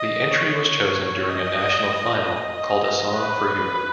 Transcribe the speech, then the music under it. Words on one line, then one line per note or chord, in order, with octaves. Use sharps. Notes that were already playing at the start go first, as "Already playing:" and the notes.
The entry was chosen during a national final called A Song for Europe.
Already playing: D#5
C#5
D#5
D#5
B4